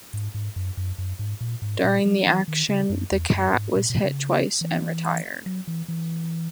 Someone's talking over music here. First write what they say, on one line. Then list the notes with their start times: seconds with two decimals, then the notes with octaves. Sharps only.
During the action, the 'Cat' was hit twice and retired.
0.14 G#2
0.34 G#2
0.56 F#2
0.77 F#2
0.98 F#2
1.19 G#2
1.41 A#2
1.62 G#2
1.84 A#2
2.05 F#3
2.26 E3
2.48 D#3
2.69 C#3
2.90 F#2
3.11 E2
3.33 F#2
3.54 G#2
3.76 A#2
3.90 B2
4.04 C#3
4.61 E3
5.46 F#3
5.67 E3
5.88 E3